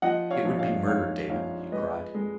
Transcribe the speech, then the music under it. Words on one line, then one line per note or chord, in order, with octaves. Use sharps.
"It would be murder, David," he cried.
F3 D#5 F#5
C#5 F5
A#1
C#5 F5
G#2 C#5 F5
A#1 C#5 F5
G#3 B4 D#5
G#3